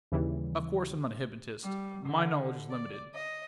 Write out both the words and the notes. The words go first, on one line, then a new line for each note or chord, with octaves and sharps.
Of course I'm not a hypnotist; my knowledge is limited.
D#2 C#3 E3 G3
G3
D3
D5
D#5